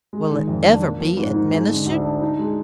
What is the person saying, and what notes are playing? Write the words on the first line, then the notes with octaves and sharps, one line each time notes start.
Will it ever be administered?
G#3
D#3
F2
D4
A#3
F3
G#2
D#4
G#3
D3
D2
D4
D#4
G#3